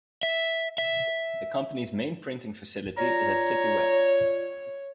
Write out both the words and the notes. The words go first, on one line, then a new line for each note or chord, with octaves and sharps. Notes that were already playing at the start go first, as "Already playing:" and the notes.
The company's main printing facility is at Citywest.
E5
E5
F4 C#5 D5 A#5